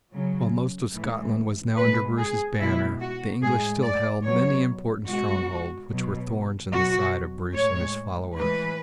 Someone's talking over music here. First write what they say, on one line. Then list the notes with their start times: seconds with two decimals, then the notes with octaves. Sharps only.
While most of Scotland was now under Bruce's banner, the English still held many important strongholds which were thorns in the side of Bruce and his followers.
0.12 C#3 F#3
0.94 A2 E3 G#3
1.76 B2 G#3 B4
2.18 G#4
2.59 B2 G#3 E4
3.01 F#4
3.41 A2 G#3 G#4
3.83 D5
4.24 B2 F#3 C#5
5.06 B2 G#3 F#4
5.89 B2 F#3
6.72 B2 F#3 F#4
7.54 A2 G#3 C#5
8.36 A2 E3 G#3 B4